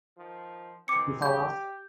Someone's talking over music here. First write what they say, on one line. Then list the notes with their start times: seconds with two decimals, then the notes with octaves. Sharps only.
You fall off?
0.18 D#3 F3
0.88 D#3 E3 C4 D6 C#7
1.22 G4 G6